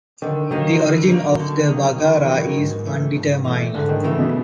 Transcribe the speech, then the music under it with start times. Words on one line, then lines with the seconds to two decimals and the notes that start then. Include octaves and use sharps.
The origin of the Baggara is undetermined.
0.22 D3 D#3
0.51 D#3 F#3 A#3 D#4
0.80 D3
1.10 F#3 A#3 D#4
1.39 D3
1.68 F#3 A#3 D#4
1.98 D3 D#3
2.17 E3
2.27 F#3 A#3 D#4
2.37 D#3
2.57 G#2
2.86 E3 A3
3.16 G#2
3.45 E3 A3
3.75 G#2 D3
3.89 D#3
4.04 C#3 E3 A3
4.19 B2